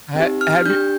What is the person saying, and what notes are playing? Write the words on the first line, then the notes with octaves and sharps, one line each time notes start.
ha have you
C4 D#4 G4
F6
D4 G4 G6